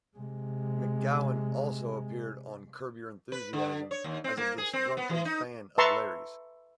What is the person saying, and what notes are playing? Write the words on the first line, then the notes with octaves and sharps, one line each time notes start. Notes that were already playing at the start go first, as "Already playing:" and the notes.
McGowan also appeared on "Curb Your Enthusiasm" as a disgruntled fan of Larry's.
C3 G#3
B4
D3
C#5
D#2
C4
A#3
G#4
C4
B3
E3
D#4
B4 E5 A5 A#5 C6 C#6